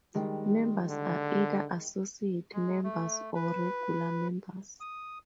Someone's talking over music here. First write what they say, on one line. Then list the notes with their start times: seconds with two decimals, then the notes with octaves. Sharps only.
Members are either associate members or regular members.
0.15 D#3 G3 G#3
0.88 D3
2.53 G#3
2.84 A3
3.35 B4
4.80 D#6